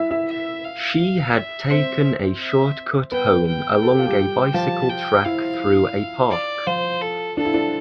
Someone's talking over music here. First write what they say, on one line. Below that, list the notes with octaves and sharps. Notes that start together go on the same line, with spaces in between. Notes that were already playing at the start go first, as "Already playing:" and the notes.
She had taken a short cut home along a bicycle track through a park.
Already playing: E4 E5
E4 E5
E5
F5
E5
C4 C5 E5
E5
B3 B4 G5
G5
A4
G4
F4
G3 G4
F3 F4 A5
G5
E4 F5
D5
F3 F4 C5
A4
D4 A4
E4
D4